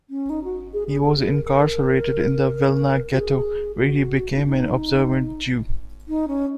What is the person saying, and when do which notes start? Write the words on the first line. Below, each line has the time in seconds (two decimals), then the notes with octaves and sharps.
He was incarcerated in the Vilna Ghetto where he became an observant Jew.
0.10 C#4
0.30 D#4
0.44 F#4
0.73 G#4
0.88 G#4
1.02 G#4
1.17 G#4
1.31 A#4
1.45 A#4
3.12 F#4
3.20 G#4
3.77 F#4
4.35 D#4
4.43 C#4
4.49 D#4
6.08 D#4
6.28 C#4